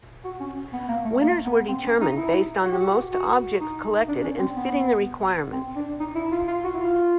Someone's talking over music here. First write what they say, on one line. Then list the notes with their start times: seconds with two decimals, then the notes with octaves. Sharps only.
Winners were determined based on the most objects collected and fitting the requirements.
0.25 F#4
0.40 C#4
0.73 B3
0.89 A#3
1.05 A3
1.21 A#3
1.45 B3
1.69 C4
1.85 C#4
2.01 D#4
2.17 E4
2.64 F#4
2.72 G4
2.80 F#4
3.13 F#4
3.60 D#4
4.09 D4
4.24 C#4
4.40 C4
4.56 B3
5.52 C4
5.76 D4
6.00 D#4
6.15 E4
6.32 F4
6.48 F4
6.64 F#4
6.74 E4
6.80 F4